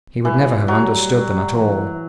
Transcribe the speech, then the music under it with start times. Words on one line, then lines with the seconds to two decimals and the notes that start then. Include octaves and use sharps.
He would never have understood them at all.
0.25 E3 G3
0.68 F#3 G3
1.56 E3